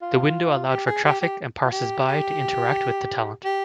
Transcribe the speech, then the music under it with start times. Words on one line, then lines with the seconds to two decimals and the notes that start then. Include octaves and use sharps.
The window allowed for traffic and passers by to interact with the talent.
0.02 F4
0.70 G4
0.87 G#4
1.05 G4
1.21 G4
1.64 F4
1.72 G4
2.08 G4
3.45 G4